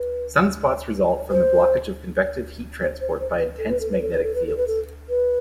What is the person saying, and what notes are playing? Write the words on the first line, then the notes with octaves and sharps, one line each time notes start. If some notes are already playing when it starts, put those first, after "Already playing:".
Sunspots result from the blockage of convective heat transport by intense magnetic fields.
Already playing: B4
C5
C5
C5
C5
B4
A4
B4
A4
B4
A4
B4
A4
B4
A4
B4
A4
B4